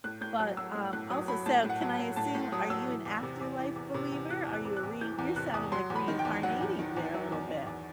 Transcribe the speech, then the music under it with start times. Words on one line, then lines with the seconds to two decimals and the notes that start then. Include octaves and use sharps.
but, um, also, so can I assume, are you an afterlife believer? Are you a rein you're sounding like reincarnating there a little bit.
0.04 A2 F#6
0.21 A2 G6
0.39 F#3 F#6
0.57 F#3 E6
0.75 A2
0.93 A2 F#6
1.10 F#3 D#6
1.28 F#3 B5
1.46 A2 A5
1.64 A2
1.70 F#5
1.81 F#3
1.99 F#3
2.16 A2 A5
2.35 A2
2.52 F#3 D#6
2.70 F#3 E6
2.88 E3
3.06 E2
3.23 C3
3.41 E2
3.59 E3
3.76 E2
3.94 C3
4.12 E2
4.29 E3 F#6
4.47 E2
4.53 F#6
4.65 C3
4.77 F#6
4.83 E2
5.01 E3 G6
5.19 E2
5.36 C3 F#6
5.54 E2 D#6
5.72 F#3 C6
5.90 E2
5.96 B5
6.08 D#3
6.19 G5
6.25 E2
6.43 F#3 F#5
6.61 E2
6.79 D#3
6.97 E2
7.14 F#3
7.32 E2
7.49 D#3
7.67 E2